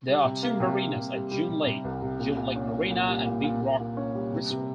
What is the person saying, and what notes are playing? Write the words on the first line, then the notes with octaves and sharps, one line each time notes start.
There are two marinas at June Lake: June Lake Marina and Big Rock Resort.
G3
C3
A#3
C3
A#3
C3
G3
G3
C3
C3
C2
C3
A#2
A#2
C#4
A#2
A#2
G3
A#2
A#2
A#2
A#2
C#4
G3
C3
C3